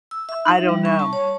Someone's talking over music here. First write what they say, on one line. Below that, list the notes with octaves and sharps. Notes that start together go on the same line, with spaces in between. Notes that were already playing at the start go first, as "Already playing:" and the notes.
I don't know.
E6
E5
D#4
G3
C#6
A5
C#5